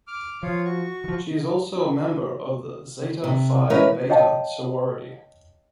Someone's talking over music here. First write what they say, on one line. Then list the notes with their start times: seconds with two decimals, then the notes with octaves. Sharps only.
She is also a member of the Zeta Phi Beta Sorority.
0.07 D6 F6
0.43 F3 F4 C#5 F5
0.65 F#4 C#6
1.04 E3 F3
3.24 C3
3.70 E3 G#3 C#4 A#4 B4
4.10 C#5 D#5 F5 G5 A5